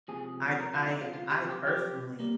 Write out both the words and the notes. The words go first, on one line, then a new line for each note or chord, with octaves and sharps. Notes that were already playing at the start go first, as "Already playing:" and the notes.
I ca I I personally,
C#2 C3 F3 G#4
A#4
F4
D#4
F4
F4
G4
G4
G4
G3 A#3